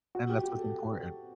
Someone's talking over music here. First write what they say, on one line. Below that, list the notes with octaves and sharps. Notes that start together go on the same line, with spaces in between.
And that's what's important.
F#4
G4
G4
A4